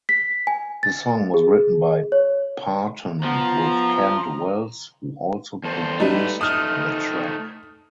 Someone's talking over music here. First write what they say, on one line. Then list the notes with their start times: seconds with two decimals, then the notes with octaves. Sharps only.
The song was written by Parton with Kent Wells who also produced the track.
0.09 B6
0.47 G#5
0.83 A6
1.34 G#4
2.12 C#5
3.23 F3 B3 A#5
5.64 E2 A4 C5
6.00 G3 A3 D#4 B4
6.41 A3 D#4 D#6 F6